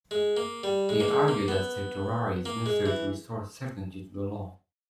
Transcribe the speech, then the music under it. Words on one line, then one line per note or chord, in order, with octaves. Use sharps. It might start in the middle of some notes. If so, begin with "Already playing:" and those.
They argue that certiorari is necessary to restore certainty to the law.
G#3
A#3
G3
G#3
A#3
G#3
A#3
B3
A#3
G#3
E3